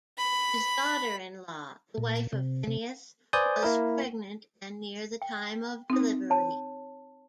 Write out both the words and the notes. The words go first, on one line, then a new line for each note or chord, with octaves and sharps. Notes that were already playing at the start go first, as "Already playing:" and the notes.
His daughter-in-law, the wife of Phinehas, was pregnant and near the time of delivery.
B5
A#2
C3
C3
B4 C5 D5 G#5 D#6 G6
A#3 E4 A#4
G5
C4 D#4
C#5 A5